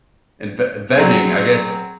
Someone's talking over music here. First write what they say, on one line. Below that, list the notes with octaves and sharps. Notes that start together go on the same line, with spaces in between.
and v vegging, I guess,
F#3 C4 G#4